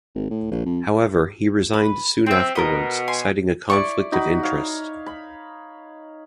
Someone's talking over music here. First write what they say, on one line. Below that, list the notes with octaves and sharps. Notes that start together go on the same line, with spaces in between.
However, he resigned soon afterwards, citing a conflict of interest.
G#1
A2
A#1
F2
B4
C4 E5 G5
B2 A#4 B4 D#5
G#5 C6
E4 D5 C#6
D#4 F#4 B5
C#5 F5
B5